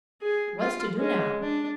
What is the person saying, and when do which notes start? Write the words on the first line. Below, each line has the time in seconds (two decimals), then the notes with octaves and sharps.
"What's to do now?"
0.22 G#4
0.60 F4
0.96 G#3 C#4
1.41 D4